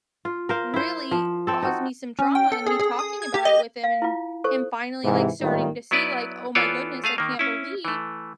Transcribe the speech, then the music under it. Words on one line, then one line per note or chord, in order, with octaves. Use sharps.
really caused me some trauma and me talking about it with him and him finally like starting to see like, "Oh my goodness, I can't believe
F4
A#4 C5 F5
E4 C5
F3
C4 A4
D#4 F#4
C#4
G5
A4
G#4
G#4
D#6
G#6
G4
D#5
F5
E4 F4
A4 C5 C#6
G#2 C3 E3
G#1 A2 D#3 G3 D#4 F4
F#3 B3 E4 B4 D5
E3 B3 F4 A4 C#5 D5
A3 G#4 F5
D#3 A#3
C#4 E4
E3 A3